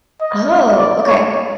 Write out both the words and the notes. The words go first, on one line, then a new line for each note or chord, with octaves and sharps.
Oh, okay.
D#5
D5
C#5